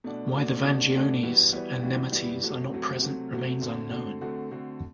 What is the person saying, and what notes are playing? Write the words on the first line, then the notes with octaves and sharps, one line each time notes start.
Why the Vangiones and Nemetes are not present remains unknown.
B2 A3 D4 F#4
B2 A3 D4 F#4
B2 A3 D4 F#4
B2 A3 D4 F#4
E3 G3 B3 F#4
E3 G3 B3 F#4
E3 G3 B3 F#4
E3 G3 B3 F#4
C3 F#3 A3 C4 F#4
C3 F#3 A3 C4 F#4
C3 F#3 A3 C4 F#4
C3 F#3 A3 C4 F#4
D3 A3 C4 F#4
D3 A3 C4 F#4
D3 A3 C4 F#4
D3 A3 C4 F#4